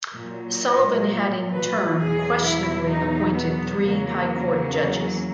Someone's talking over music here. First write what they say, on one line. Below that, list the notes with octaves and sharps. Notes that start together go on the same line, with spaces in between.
Sullivan had in turn questionably appointed three High Court judges.
A#2 F#3
D#5
B4
E2 B2 F#3 G#4
E4
D#4
B3
E2 C#3 F#3 A#3